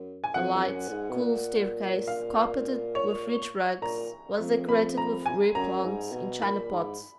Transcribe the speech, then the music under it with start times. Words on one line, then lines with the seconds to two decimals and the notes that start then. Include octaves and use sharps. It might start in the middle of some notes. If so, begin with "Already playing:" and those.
A light, cool staircase, carpeted with rich rugs, was decorated with rare plants in china pots.
Already playing: F#2
0.24 G#5
0.34 F2 F#5
0.55 F2
0.63 F#2
0.88 A#2
0.92 G#2
1.11 B2
1.21 A#2
2.08 F5
2.95 C#5
3.82 A#2 A#5
4.40 F2
4.69 B5
4.97 A#5
5.26 G#5
5.55 F#2 A#5
5.84 G#2
6.12 B2
6.42 A#2 B5
6.71 G#2